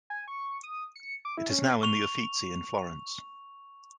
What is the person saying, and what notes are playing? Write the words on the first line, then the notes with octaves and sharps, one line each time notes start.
It is now in the Uffizi in Florence.
G#5
C#6
D#6
C#7
D6
E4
C#4
C#6 F7